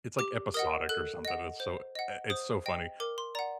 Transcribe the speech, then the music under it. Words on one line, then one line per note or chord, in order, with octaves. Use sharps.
It's, like, episodic or something, it's so i it's so funny,
G4 D6
A#4 D#5 F#5 D#6
A4 F#6
D#5 F#5
C5
D#5 F#5
C5 D#6
D#5 G5
A#4 D6
C6
D5 F#5 A#5